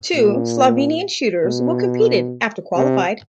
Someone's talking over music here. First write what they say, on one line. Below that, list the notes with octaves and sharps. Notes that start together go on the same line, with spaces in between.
Two Slovenian shooters will competed after qualified.
A#2
B2
C3